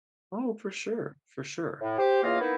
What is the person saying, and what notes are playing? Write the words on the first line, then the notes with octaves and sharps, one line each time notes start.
Oh, for sure, for sure.
A2
G4 C5
E2 C#3 A#3 F4 D#5 F5
A#3 B3 D#4 E4